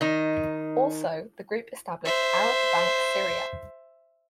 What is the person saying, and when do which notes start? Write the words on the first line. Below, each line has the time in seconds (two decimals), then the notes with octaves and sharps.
Also, the group established Arab Bank-Syria.
0.01 D#3 D#4
2.05 C5 E5